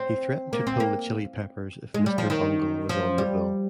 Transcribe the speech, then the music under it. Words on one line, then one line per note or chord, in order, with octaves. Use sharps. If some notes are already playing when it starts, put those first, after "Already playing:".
He threatened to pull the Chili Peppers if Mr. Bungle was on the bill.
Already playing: C4
A#3
C4
A#3
G#3
G3
F3
D#3
F3
G3